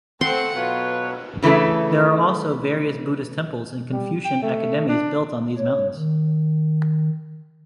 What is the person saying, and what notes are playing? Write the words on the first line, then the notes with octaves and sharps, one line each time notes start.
There are also various Buddhist temples and Confucian academies built on these mountains.
A3 C4 F#5 C6
B2 F#3 F4 B4 C#5
C#3 E3 A3 E4 A4
G3
G5
A3
D4
C#5
D#3